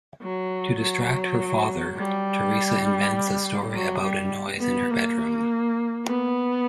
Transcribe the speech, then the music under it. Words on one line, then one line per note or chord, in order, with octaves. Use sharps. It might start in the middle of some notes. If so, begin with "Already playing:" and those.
To distract her father, Teresa invents a story about a noise in her bedroom.
F#3
F#3
G3
F#3
G3
B3
A#3
B3